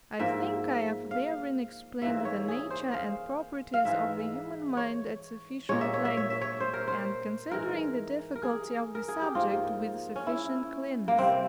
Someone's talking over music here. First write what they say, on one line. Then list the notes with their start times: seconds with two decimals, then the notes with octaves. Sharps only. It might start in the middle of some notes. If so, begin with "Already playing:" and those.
I think I have therein explained the nature and properties of the human mind at sufficient length, and, considering the difficulty of the subject, with sufficient clearness.
0.19 G#2 F3 A#3 E5
1.11 F5
2.02 G#2 E3 A#3 E5
2.17 E5
2.25 C#5
2.48 G#4
2.70 C5
2.94 F5
3.74 F5
3.85 G#2 E3 G#3 E5
4.77 C#5
5.69 A#2 G#3 C#5
5.81 E5
5.93 C#5
6.05 E5
6.17 C#5
6.30 E5
6.41 C#5
6.60 C5
6.74 A#4
6.88 C5
7.51 G#2 E3 G#3 A#4
8.35 A#4
8.43 G#4
8.95 A#4
9.08 G#4
9.22 G4
9.35 G#2 F3 A#3 F4
10.16 C#4
10.27 E4
11.08 A#3
11.18 C3 G3 A#3 C4